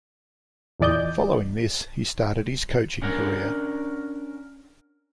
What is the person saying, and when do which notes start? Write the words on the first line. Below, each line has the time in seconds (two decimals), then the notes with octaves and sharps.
Following this, he started his coaching career.
0.80 E2 A#2 E3 D5 D#5 G6
3.02 C#4 D4 A#4 F#5